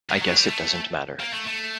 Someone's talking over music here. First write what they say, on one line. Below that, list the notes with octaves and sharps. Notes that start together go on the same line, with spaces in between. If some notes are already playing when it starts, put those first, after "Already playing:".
I guess it doesn't matter.
D#3
F#3
G3
A3
A#3
A3
A3